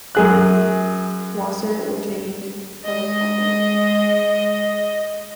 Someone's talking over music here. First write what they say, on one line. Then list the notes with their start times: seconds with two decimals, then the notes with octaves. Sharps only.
Wasser retained Pellicano.
0.15 F#2 G#4 F#6
2.85 G#3 D#5